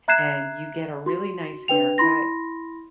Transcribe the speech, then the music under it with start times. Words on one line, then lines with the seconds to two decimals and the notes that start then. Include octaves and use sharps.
and you get a really nice haircut,
0.08 E5 A#5 F#6 G#6 C7 E7
1.06 F#4 C6
1.68 D4 B4 G5 F7
1.98 E4 B5 C6 A#6